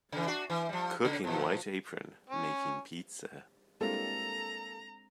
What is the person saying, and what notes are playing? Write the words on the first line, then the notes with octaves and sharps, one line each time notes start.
Cook in white apron making pizza.
C#3 E3
D4 F#4
E3
F3 G3
C#3
A#2 F3
C#4
G3 G#3 A#3 C4 D4 E4 A4 A#5